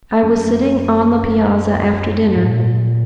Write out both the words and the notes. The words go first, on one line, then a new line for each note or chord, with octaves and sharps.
I was sitting on the piazza after dinner.
F#2
G#2
A#2